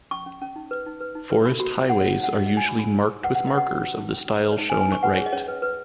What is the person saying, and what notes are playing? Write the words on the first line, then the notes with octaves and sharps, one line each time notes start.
Forest highways are usually marked with markers of the style shown at right.
C#4 C#6
C#4
C#4
D#4
B4
D#4
B4
D#4
B4
F#4 B5
F#4 B5
F#4 B5
D#4 F#5
D#4 C#5
D#5
D#4 F#5
F#4 D#5
C#5 D#5
G#5
C#5 B5
C#5 B5
C#5
C#5
B4 F#5
B4 F#5
D#5
B4 F#5
F#4
C#5
D#4
C#4
C#4
B4
C#5
D#4 D#5
G#5
B4
G#5
D#4 C#6
B4 F#5
G#4 C#5
D#5
C#4 C#5
B4
B4